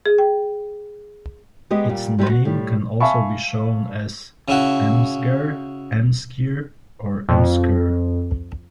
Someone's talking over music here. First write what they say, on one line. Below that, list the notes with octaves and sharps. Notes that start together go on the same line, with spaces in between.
Its name can also be shown as Em-sger, Emskir or Emskyr.
G#4
G5
G#3 B3 G4 D#5
A#2 G3
F#3 G3 E4 F4 B4 C5
F#4
A2 G3
E5 F5 G#5 A5 B5 C#6
C#3 E4 F#4
F2